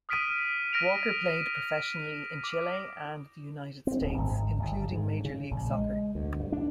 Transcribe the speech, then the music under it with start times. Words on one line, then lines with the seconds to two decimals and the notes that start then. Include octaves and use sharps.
Walker played professionally in Chile and the United States, including Major League Soccer.
0.09 D#6 F6 B6 D7 D#7
0.73 F6 A#6 D7 D#7 F7
2.44 D6
3.87 C4
4.01 D1
4.18 G#1
4.59 G1
4.92 G#2
5.25 C#3
5.51 A#1
5.71 G#3
6.15 D2
6.40 G2
6.52 D4